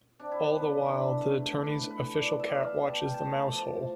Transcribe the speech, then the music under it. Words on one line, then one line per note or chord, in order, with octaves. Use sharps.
All the while, the attorney's official cat watches the mouse-hole.
C3 D4
E4
D4
E3 B3
D3
A3
A2 B4
B4
E3 A3
D5
D5
B2 E5
D5
E5
F5
G3 B3
A5
G5
A2 A5
F3 A3